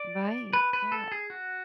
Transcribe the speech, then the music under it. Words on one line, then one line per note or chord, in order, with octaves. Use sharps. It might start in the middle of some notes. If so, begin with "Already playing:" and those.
Right, yeah,
Already playing: D5
B4
B4
A4
G#4
F#4